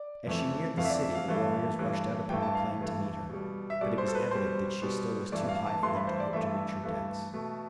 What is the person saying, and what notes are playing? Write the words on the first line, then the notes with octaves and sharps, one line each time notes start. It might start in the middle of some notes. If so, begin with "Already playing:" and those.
As she neared the city the warriors rushed out upon the plain to meet her, but it was evident that she still was too high for them to hope to reach her decks.
Already playing: D5
F2 E3 A3
F2 E3 A3 F5
E5
D5
E5
F5
G2 E3 A3
G2 E3 A3
G2 E3 A3 G5
A5
F5
G2 E3 A3
B2 G3
E5
B2 G3 D5
C5
A4
B4
B2 G3 C5
B2 G3
G2 E3 A3 D5
F5
A5
G2 E3 A3 C6
B5
C5
D5
G2 E3 A3 E5
G2 E3 A3
B2 A3